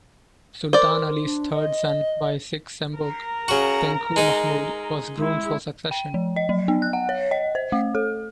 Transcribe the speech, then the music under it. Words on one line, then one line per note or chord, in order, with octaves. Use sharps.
Sultan Ali's third son by Cik Sembuk, Tengku Mahmud was groomed for succession.
A#4 C5 D5
D4
D#5
A#4 A#5
C#3 F#4
G#3 D#4
G#3 E4
G5
F3
D#5
F#3
B3
F#6
F#5
C#5
D#5
C5
A3
A4